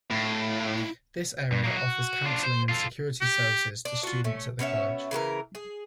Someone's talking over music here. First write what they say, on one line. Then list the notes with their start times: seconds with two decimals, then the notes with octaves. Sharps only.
This area offers counselling and security services to students and the college.
0.11 A2 E4 F5
1.52 G2
1.64 F#3 A#3
1.76 F#4
2.26 D4 F4
2.43 C5
2.69 F4 A4
3.21 G4
3.85 D4
4.03 F4 F#4
4.24 A3 C#4
4.59 B2 C#4 C#5 E5
5.11 C#3 E3 F#4 A#4
5.55 G#4